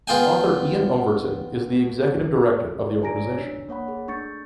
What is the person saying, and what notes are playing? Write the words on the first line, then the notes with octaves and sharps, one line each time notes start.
Author Iain Overton is the Executive Director of the organisation.
B3 F4 G#4 G5 G#5
D5 G#5 A#5 A#6 D7
C#5
D4
A#3 C#5 F#5 B5
G#4
A3 D4 C#6 G6 A6 C#7